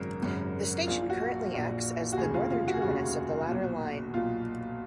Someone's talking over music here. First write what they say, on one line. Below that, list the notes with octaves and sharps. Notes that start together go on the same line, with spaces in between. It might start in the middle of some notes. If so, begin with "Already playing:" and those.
The station currently acts as the northern terminus of the latter line.
Already playing: G#1 F#2 C#3 A#4
G#1 F#2 C#3
A#1 A#2 F4
F#4
A#1 A#2
F#4
F1 D#2 C#3 G#4
F4
F4
F#4
G#4
F1 D#2 C#3 F#4
B1 A#2
B1 A#2 F4